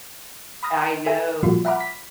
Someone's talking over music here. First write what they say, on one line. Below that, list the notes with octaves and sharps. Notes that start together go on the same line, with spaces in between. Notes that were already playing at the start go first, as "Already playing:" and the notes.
I know,
B5 D#6 F6 A#6
A4 E5 G#5
A#2 F3 G3 A#3 F4 F#4
E5 F#5 A#5 B5 D6 F6
B6